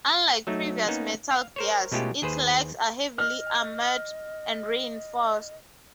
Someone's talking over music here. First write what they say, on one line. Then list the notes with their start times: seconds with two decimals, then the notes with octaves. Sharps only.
Unlike previous Metal Gears, its legs are heavily armored and reinforced.
0.47 F#3 A3 D#4
0.88 A#3 B3 C#4 D#4
1.31 F5
1.56 A#4 C5 C#5
1.92 B2 G#3 A3 C#4 F4 G4
2.22 D#2 G#4 B4 C5
3.18 D#5 F6